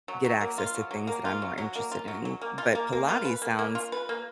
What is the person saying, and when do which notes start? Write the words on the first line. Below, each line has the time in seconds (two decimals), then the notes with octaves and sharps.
get access to things that I'm more interested in. But Pilates sounds
0.08 F#3
0.25 F#3
0.41 A#3
0.58 F4
0.75 F#3
0.91 F#3
1.07 A#3
1.25 F4
1.42 F#3
1.58 F#3
1.75 A#3
1.92 F4
2.08 F#3
2.25 F#3
2.41 A#3
2.58 F4
2.75 A#3
2.93 A#3
3.09 F4
3.25 B4
3.42 A#3
3.59 A#3
3.75 F4
3.92 B4
4.09 A#3